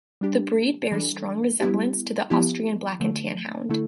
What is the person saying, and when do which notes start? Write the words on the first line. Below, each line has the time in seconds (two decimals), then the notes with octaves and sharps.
The breed bears strong resemblance to the Austrian Black and Tan Hound.
0.21 G3 D4 G4
0.92 E3 G3 D4 A4
1.60 G3 B3 E4 G4
2.30 F3 B3 E4 G4
3.00 D3 F3 A3
3.69 D3 A3 E4 A4